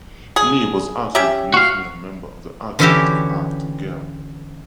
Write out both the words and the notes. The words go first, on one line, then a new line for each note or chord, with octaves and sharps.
Lee was also briefly a member of the alternative act Gerling.
G#4
C#4 G4 E5
F#4 F5
D3 E3 C#4 E4 F#4 G4